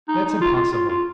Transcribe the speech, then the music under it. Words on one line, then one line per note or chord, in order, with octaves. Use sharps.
"That's impossible!"
D#4
D#4
F4
F4
F4
F4